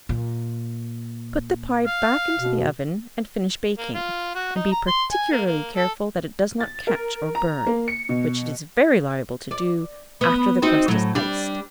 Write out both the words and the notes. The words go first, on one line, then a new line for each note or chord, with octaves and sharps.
Put the pie back into the oven, and finish baking, and be particularly careful that it does not catch or burn, which it is very liable to do after the crust is iced.
A#2
F5
B2
A#3
F4
F#4
D#4
A#5
C6
G#5
A#3
A#3
A4
A6
A#4
A#5
A#3
C#7
B2
D5
B3
C4 D#4 F#4
A2 F#3
G3 D4